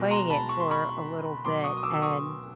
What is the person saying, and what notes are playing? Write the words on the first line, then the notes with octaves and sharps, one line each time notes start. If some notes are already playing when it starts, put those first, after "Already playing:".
playing it for a little bit and
Already playing: B2 G#3
A#5 C6
A5 B5
C#6
C6
B5 C#6
B2 F#3 C6 D6
C#6 D#6
D#6
D6 E6
E6
C#6 D#6